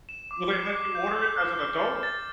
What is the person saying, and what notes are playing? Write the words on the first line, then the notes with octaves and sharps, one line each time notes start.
Will they let you order it as an adult?
E7
D6
C7
D6
G6
G6
F6
F6
A6
A6